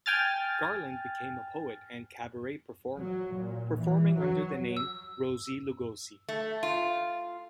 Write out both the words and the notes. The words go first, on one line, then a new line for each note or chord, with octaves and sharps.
Garland became a poet and cabaret performer, performing under the name Rosie Lugosi.
G5 G#5 F6 A6
F#3
A#2
E3
F#3
E6
A3
F4